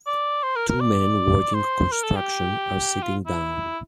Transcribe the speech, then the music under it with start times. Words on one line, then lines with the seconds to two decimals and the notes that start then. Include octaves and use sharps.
Two men working construction are sitting down.
0.06 D5
0.43 C5
0.56 A#4
0.68 A#4
0.81 D5
1.54 C5
1.91 A#4
2.04 A4
2.16 G4
3.02 F4
3.27 E4